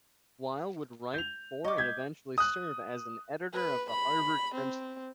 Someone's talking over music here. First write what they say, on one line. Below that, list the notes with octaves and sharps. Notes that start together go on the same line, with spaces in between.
Weil would write for and eventually serve as an editor of the Harvard Crimson.
G6 F7
D#5 C#6 D6
G6 G#6 B6
D#6 F#6
B4
B5
C4